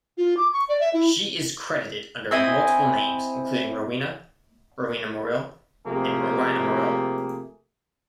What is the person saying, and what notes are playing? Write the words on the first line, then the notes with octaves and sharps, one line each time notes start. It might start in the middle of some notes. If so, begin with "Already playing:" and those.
She is credited under multiple names, including Rowena, Rowena Morrill, and Rowina Morril.
F4
D6
C#6
D5
E5
E4
C4 E4 D#5 G#5
C3 F3 A3 A#3 G4 G#4